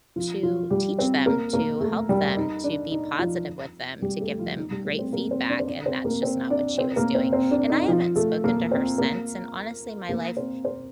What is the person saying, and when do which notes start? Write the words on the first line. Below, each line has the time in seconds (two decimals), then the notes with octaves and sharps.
to teach them, to help them, to be positive with them, to give them great feedback, and that's just not what she was doing. And I haven't spoken to her since, and, honestly, my life
0.16 F3 F4
0.43 F3 F4
0.70 G3 G4
0.99 C4 C5
1.26 A#3 A#4
1.53 A#3 A#4
1.81 A3 A4
2.09 G3 G4
2.37 D#4
2.64 D4
2.92 D#4
3.19 F3 F4
4.02 G3 G4
4.21 A3 A4
4.39 F3 F4
4.57 D#4
4.71 G3 G4
4.85 A3 A4
4.99 C4 C5
5.12 A#3 A#4
5.31 C4 C5
5.49 D4 D5
5.59 C5
5.67 D4 D5
5.86 C4 C5
6.04 A#3 A#4
6.22 C4 C5
6.50 D4 D5
6.78 C4 C5
6.96 A#3 A#4
7.14 C4 C5
7.33 C4 C5
7.51 D4
7.70 D#4
7.88 F3 F4
8.16 A3 A4
8.44 A#3 A#4
8.71 C4 C5
8.98 A#3 A#4
10.09 A#3 A#4
10.37 C4 C5
10.64 C4 C5